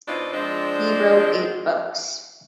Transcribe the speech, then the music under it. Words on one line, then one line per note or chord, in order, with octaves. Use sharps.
He wrote eight books.
B2 C4 D4 D#4 F4
F3 G#3 C4 D4